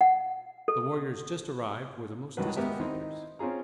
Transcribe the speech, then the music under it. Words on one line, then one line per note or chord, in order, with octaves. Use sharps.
The warriors just arrived were the most distant figures.
F#5
A4
C#2 G2 D#3 F#4 B4
G#2 B3 G4 A#4 E5
D#3 C4 D#4 E4
C4 C#4 F4 G#4 A#5